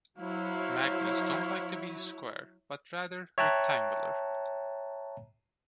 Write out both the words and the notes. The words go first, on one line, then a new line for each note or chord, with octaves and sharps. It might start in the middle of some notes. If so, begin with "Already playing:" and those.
Magnets don't like to be square, but rather rectangular.
F#3 E4 C5 C#5 F5
C#5 E5 G5 A5 A#5 F#6